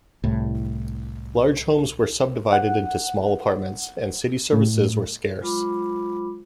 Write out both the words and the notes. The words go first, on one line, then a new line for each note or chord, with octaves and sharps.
Large homes were subdivided into small apartments and city services were scarce.
C2 A2
F#5
A2
F#3 G#3 F4 C5 B5 D6